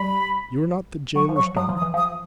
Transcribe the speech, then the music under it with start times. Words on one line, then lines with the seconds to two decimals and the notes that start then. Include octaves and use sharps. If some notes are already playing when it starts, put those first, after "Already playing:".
"You are not the gaoler's daughter?"
Already playing: G3 B5
1.16 F#3 C#6
1.29 F3
1.36 F#3 C#6
1.57 F#3 D#6
1.69 F3
1.77 D#6
1.82 E3
1.94 F3 D#6